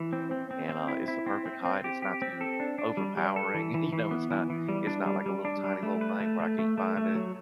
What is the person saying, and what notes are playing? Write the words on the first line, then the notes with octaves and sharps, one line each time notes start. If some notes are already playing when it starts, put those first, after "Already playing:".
And, uh, it's the perfect height. It's not too overpowering. You know, it's not it's not like a little tiny little thing where I can't find it.
Already playing: E3
C4
C4
C4
C4
E4
E4
C4
C4
C4
G4
G4
C4
A4
D4
D4
G3
G3
A4
E3
E3
E3
B3
E3
E3
G3
D4
G3
G3
D4
G3
A3
B4
A3
A3
A3
A3
A3
F#3